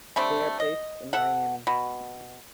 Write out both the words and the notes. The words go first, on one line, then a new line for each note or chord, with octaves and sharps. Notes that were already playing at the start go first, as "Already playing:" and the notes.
They are based in Niamey.
G3 A3 C4 D4
D#5
A4 E5 F#5
B2